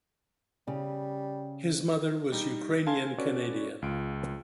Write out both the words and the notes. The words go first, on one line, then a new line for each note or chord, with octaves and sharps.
His mother was Ukrainian Canadian.
C#3 G3
G3 D#4
A4 F5 G#5 A5 C6 G#6
C#4 F#4 A4 B4 C#5 D5
C#2 F4 D7